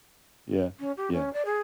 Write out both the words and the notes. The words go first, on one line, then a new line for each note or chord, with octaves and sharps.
Yeah, yeah.
C#4
G4
C#4
D5
G#4